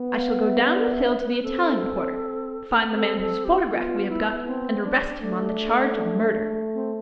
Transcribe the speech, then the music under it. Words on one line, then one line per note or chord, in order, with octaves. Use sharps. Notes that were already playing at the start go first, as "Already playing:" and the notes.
I shall go down with Hill to the Italian Quarter, find the man whose photograph we have got, and arrest him on the charge of murder.
Already playing: B3
F5
E5
D5
E5
B4
C4 A4
C4 A4
A4
G4
B3 F4
E4
C4
D4
A3 D4
C4